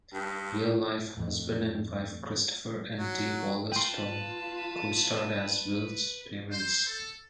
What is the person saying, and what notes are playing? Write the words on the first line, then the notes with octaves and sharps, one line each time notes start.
Real life husband and wife Christopher and Dee Wallace-Stone co-starred as Will's parents.
G2
F2 A2
F#3
F4 B4 G5 A5 C6
C5
A4